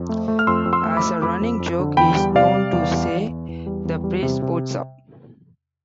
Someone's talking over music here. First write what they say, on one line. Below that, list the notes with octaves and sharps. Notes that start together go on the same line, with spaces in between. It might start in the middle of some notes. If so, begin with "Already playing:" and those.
As a running joke, he is known to say the phrase Sports Up!
Already playing: F2
A3
A3
F6
F2 C6 E6
F2
C6 E6
A3
B5 D6
A3
F2 B5 D6
F2
F2
D3
E2 G5 B5
G3
C3 D5 F5
G3
E2
E2
E2
E2
E2
G3
E2
G3
C3
C3